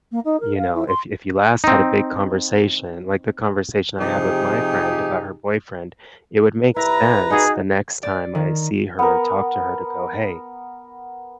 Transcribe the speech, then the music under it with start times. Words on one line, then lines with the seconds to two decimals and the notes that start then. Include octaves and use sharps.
you know, if if you last had a big conversation, like the conversation I had with my friend about her boyfriend, it would make sense the next time I see her or talk to her to go, "Hey,
0.11 A#3
0.24 D#4
0.40 A#4
0.57 F5
0.74 E4
0.88 C6
1.64 C4 D#4
3.98 C3 F3 D#4 G4 G#4
6.76 C2 E4 B4 A#5
7.30 D#4 F#4 G#4
8.03 D5
8.35 D#3
8.99 B3 A#4